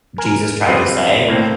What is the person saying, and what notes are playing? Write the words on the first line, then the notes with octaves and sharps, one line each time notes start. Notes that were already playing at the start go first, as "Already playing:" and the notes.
Jesus tried to say,
A#4 G#5
G3 C4 F4 B4 D#5
A2 A#3 C4